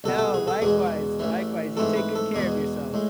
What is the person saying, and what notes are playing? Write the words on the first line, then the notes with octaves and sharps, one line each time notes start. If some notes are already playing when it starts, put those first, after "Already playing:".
No, likewise, likewise, you take good care of yourself.
C2 B2 B3 A4
A4
G#4
A4
E2 B2 G#3 G#4
A1 A2 E3
G#2 E3 A3 C4 A4
B4
A4
E2 B2 G#3 G#4
A2 G#3